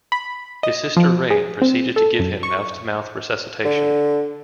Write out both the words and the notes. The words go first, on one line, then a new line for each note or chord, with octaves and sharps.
His sister Rain proceeded to give him mouth-to-mouth resuscitation.
B5
D#5
F3
G#4
C4
A4
F#2
C#6
D3